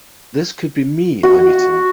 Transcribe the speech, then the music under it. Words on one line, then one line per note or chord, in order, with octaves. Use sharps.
This could be me I'm eating.
F#4